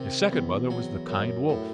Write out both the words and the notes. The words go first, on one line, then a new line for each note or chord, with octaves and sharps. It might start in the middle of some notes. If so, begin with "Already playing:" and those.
His second mother was the kind wolf.
Already playing: C3 D#3
E2
F#3
F#2
A2